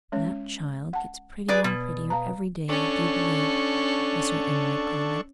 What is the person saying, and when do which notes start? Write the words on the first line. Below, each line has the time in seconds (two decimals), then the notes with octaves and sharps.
"That child gets prettier and prettier every day, I do believe," was her inward comment.
0.12 G#3 C#4 C#5
0.93 F#5 A5
1.48 G#4 B4 D5
1.64 B2
2.10 F5 A5 A#5
2.69 C#4 D4 A4 C#6